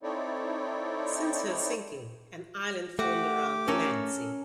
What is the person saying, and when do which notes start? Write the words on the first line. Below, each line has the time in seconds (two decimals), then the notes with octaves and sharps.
Since her sinking, an island formed around the "Nancy".
0.03 C4 D#4 E4 A4 C#5 D5
2.99 A3 F#4 G4 F#5 D6
3.68 C#4 A4 A#4